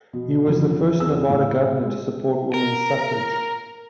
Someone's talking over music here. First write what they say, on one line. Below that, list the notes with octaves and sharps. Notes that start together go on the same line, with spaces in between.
He was the first Nevada governor to support Women's Suffrage.
B2
F#2 C#3 F3
E2 C4 G#4 E6
A2
G#3
A#4